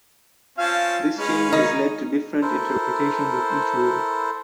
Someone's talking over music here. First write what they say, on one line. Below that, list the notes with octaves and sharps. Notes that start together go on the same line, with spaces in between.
This change has led to different interpretations of each role.
C4 C#4 F4 F5 A5
G#3 C#4 B4 F5
D#3 D#4
E4 A4 A#4 C5